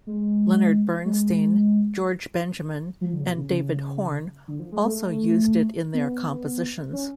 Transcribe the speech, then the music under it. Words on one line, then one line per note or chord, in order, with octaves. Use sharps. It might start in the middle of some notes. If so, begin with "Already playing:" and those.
Leonard Bernstein, George Benjamin and David Horne also used it in their compositions.
G#3
G#3
F3
D3
C#3
B2
C#3
C#3
D3
F3
G#3
A3
B3
C#4